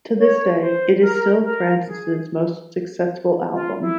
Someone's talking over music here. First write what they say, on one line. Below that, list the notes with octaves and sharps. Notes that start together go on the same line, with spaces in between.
To this day, it is still Francis' most successful album.
C#5
C5
A#4
A#4
G#4
F4
E4